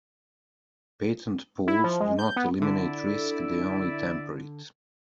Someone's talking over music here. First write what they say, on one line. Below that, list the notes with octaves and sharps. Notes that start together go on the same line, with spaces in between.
Patent pools do not eliminate risk, they only temper it.
E4
F3
G#3
G6
B3
D3 E4 D5 E5